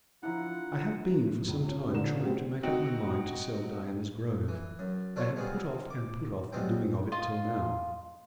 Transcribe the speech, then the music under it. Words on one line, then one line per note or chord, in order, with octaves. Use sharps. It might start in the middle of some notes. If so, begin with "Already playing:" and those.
I have been for some time trying to make up my mind to sell Diana's Grove, I have put off and put off the doing of it till now.
F3 D4 E4 F4 F#5 A#5
C#2
C#4
A#1 D3 A#4 E7
F#3 G3 A3 B3 C4
C4 D#4 F#4
E3
F#2
D4 E4 F4 A4 C5 C#5
G3 G#3 B3 C4 F4 G#4
D6
B1 G3 G#3 B3 C4 G5
F4 D#5